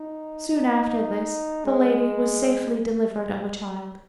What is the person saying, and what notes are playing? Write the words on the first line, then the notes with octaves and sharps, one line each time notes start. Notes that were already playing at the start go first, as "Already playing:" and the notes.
Soon after this, the lady was safely delivered of a child.
Already playing: D#4
D#4
G#3